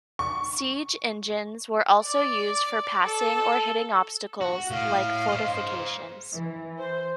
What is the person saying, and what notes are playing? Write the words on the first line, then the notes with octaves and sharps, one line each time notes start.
Siege engines were also used for passing or hitting obstacles like fortifications.
C#6
D5
A4
F#4
A2 F5
C5 D#5
E3
C5